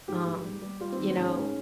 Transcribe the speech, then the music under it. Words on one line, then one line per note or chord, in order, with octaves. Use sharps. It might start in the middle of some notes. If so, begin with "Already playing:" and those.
um, you know,
G#2 G4
G#2
G3
G3
G3 F4
C4
D#3
C4
G#2 C#4
G#2